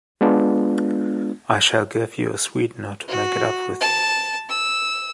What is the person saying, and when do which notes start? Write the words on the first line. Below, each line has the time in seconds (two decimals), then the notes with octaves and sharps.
I shall give you a sweetener to make it up with you.
0.21 G#3 B3 D4 F4
3.08 F#4
3.81 A5
4.49 E6